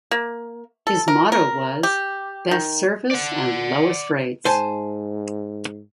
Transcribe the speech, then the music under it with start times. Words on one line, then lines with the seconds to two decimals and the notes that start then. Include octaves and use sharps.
His motto was "best service and lowest rates".
0.11 A#3
0.87 A4
1.08 A#4
1.32 A#4
1.83 G4
2.51 D#3
3.11 D5 F#5
4.45 G#2 C5 G#5 A5